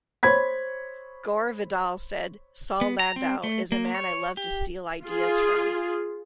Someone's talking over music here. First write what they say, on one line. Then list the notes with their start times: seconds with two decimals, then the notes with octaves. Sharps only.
Gore Vidal said, Saul Landau is a man I love to steal ideas from.
0.23 C5 C#5 B5 G#6 B6
2.81 B3
2.99 A#5
3.16 C4
3.44 A3
3.72 A#3
3.95 C#5
4.37 G4
5.04 F4 G#4